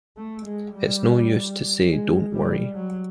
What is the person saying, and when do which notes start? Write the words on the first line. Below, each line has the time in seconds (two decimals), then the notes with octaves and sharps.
It’s no use to say don’t worry.
0.17 A3
0.45 G#3
0.74 G3
1.89 G#3
2.32 G3
2.75 F#3